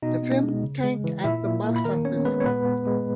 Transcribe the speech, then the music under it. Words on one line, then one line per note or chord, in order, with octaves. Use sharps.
The film tanked at the box office.
B2 D#4 D#5
B3
G#3
C#3
G#3
E3
A#2 E4 E5
A#2
A#3
B5
D#3 A#4 A#5
B3 C#4 C#5
G#3 B3 B4
C#5
A#2 B3 B4
B3
G#3